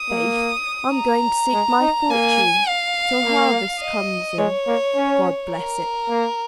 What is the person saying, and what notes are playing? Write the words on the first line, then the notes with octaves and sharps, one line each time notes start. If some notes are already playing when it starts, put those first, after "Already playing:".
"Faith, I'm going to seek my fortune till harvest comes in, God bless it!"
Already playing: D#6
A#3
A#5
G#3
D#4
A#3 G#5
F5
A#3
D#5
G#3 C#5
A#3
C#4
A#4
A#3